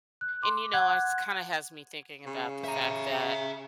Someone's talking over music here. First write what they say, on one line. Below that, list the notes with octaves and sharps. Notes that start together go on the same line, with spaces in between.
and you know, is kinda has me thinking about the fact that
F#6
C6 D6
F#5 F#6 G#6
C#3
E5 A#5